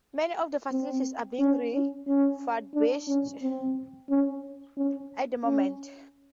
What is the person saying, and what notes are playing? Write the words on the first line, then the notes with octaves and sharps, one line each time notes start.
Many of the facilities are being refurbished at the moment.
C4
C#4
C#4
C#4
D4
C#4
C4
C#4
C#4
C#4